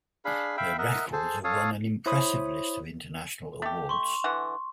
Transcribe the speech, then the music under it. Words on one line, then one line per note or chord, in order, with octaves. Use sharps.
Their records have won an impressive list of international awards.
D4 G#4 F5 B5
E5 F5 G5 B5
A#4 D#5 E5 F#5
G#4 A4 C5 A5
A4 C#5 F5 D#6
E4 C5 C#5 B5 D#6
A3 G4
C6 C#6
D3 E3 F#5